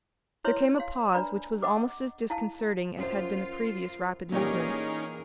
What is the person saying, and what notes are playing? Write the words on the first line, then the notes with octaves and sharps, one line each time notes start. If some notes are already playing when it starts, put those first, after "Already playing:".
There came a pause which was almost as disconcerting as had been the previous rapid movements.
E4 B4 C#5 E5 C6
F5 C6
D4 B4 D5 A#5 B5
D#5 F#5 D6
E4 F5 A5
F#2 F4 C5
A#2 E3 C#4 D#4 G4 G#4 A#4 C#5